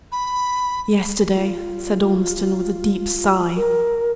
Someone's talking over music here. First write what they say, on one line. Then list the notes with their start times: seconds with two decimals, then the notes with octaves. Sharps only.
"Yesterday," said Ormiston, with a deep sigh.
0.12 B5
1.36 F4
3.55 A#4